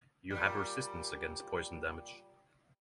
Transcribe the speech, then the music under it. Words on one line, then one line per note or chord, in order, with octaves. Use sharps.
You have resistance against poison damage.
A#2 G3